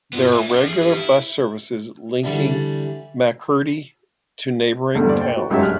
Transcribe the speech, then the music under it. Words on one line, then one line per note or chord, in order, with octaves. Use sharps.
There are regular bus services linking Makurdi to neighbouring towns.
B3 F4
E5 G#5
C#4 F#5
G#4
G4 B4
E4
D3 E3 G3 A4
E2 G2 A#2 D3
C5 D5
G5
F#4
G#1 F#2 G#3 G4 C#5 E5
A#1 F6 F#6